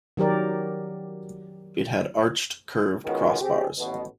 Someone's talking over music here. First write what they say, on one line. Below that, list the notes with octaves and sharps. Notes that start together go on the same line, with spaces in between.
It had arched, curved crossbars.
D#3 F#3 G4 A#4 D5
D#3 G#3 B3 C#4 F4 F#4
C4 G4 G#4
A1 B2